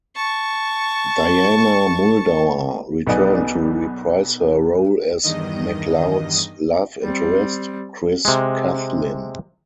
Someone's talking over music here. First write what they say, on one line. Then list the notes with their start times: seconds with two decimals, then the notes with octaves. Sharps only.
Diana Muldaur returned to reprise her role as McCloud's love interest, Chris Coughlin.
0.16 A5 C#6
3.07 B1 B3 D#4 D5 G#5 D#6
5.23 E2 G2 D#3 D#5
7.02 G3 C4
8.25 C3 G#3